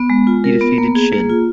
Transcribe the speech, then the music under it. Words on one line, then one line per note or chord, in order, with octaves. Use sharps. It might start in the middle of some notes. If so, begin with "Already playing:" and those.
He defeated Shinn.
Already playing: B3
G#3
F4
A#4
B3
A#3
G#4
A#3
F4